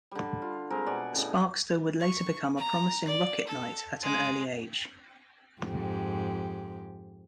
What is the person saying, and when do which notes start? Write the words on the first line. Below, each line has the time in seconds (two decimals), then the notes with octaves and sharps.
Sparkster would later become a promising Rocket Knight at an early age.
0.11 D3 G3
0.42 F4
0.70 G3 G#3 C4 A#4
0.86 B2 F#4 D5 G#5
1.14 A2 C#3 D4 D#5
2.00 C#6
2.58 A#5
3.06 D5
3.47 A4
4.02 G#3
5.61 F2 G#2 G4